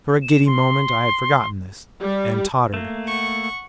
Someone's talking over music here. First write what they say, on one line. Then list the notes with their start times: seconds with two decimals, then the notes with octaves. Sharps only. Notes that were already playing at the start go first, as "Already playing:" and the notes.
For a giddy moment I had forgotten this, and tottered.
0.22 E7
0.46 C6
2.02 G3
2.74 A3 A#3
3.06 F#5 C#6